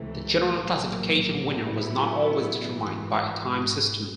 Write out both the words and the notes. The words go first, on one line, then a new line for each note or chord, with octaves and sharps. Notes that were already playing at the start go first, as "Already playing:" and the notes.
The general classification winner was not always determined by a time system.
Already playing: C#2 C3 E3 A3
A#1 A2 F#3 A#3
A2 F#3 B3 E4
G#1 G#2 E3